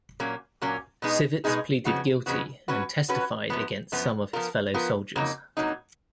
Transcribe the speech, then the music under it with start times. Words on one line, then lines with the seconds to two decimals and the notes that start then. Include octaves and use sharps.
Sivits pleaded guilty and testified against some of his fellow soldiers.
0.20 A#2 F#3 A#3 C#4
0.62 A#2 F#3 A#3 C#4
1.02 B2 G#3 B3 D#4 G#4
1.44 B2 G#3 B3 D#4 G#4
1.85 F2 C#3 F3 B3 F#4
2.26 F2 C#3 F3 B3 F#4
2.68 F#3 C#4 F#4 B4
3.09 F#3 C#4 F#4 B4
3.50 F#2 F3 B3
3.92 F#2 F3 B3
4.33 F3 B3 F4 A#4
4.74 F3 B3 F4 A#4
5.16 F2 C#3 F#3 A#3 D#4
5.57 F2 C#3 F#3 A#3 D#4